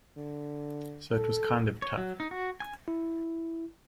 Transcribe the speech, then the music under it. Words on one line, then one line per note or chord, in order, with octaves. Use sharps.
So it was kind of tough.
D3
A4
C#5
F#3
D#4
F#4
G#5
E4